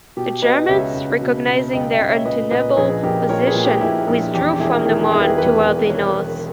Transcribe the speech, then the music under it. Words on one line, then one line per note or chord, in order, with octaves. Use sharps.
The Germans, recognising their untenable position, withdrew from the Marne towards the north.
B2 G4
B2 B4 D#5
C#2 C#5 E5
C#2
B2
B2
C#2 D#5 G5
D#5 G5
C#2
C#5 E5
A#2 B4 D#5
A#2 B4 D#5
A#1 G#4 B4
A#1 G4 A#4
A#2 A#4 C#5
G#4 B4
A#2
G4
A#1 E4
A#1
E2 G4
E1 E4 G#4
A#4
D#3 E4 G#4
G4
E1 E4 G#4
B4
G4 A#4
E2 G#4 B4
E1
D#3 A#4 C#5
E1